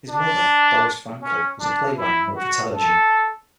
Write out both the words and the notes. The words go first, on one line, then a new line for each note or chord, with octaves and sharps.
His mother, Doris Frankel, was a playwright and wrote for television.
D4
C#4
D4
E4
F#4
A4